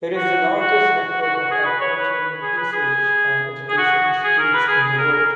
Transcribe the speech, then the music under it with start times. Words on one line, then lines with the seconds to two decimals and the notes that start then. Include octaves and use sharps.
It is the largest network of agricultural research and education institutes in the world.
0.16 F#4
0.60 F#4
1.06 F#4
1.21 F#4
1.36 F#4
1.51 G#4
1.66 B4
1.81 C#5
1.97 B4
2.42 G#4
2.57 B4
2.73 G#4
3.69 G#4
3.78 F#4
4.24 G#4
4.39 A#4
4.54 B4
4.68 G#4
4.84 G#4
4.98 A#4
5.13 A#4